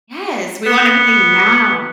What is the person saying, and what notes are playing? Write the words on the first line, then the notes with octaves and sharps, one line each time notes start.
Yes, we want everything now.
B3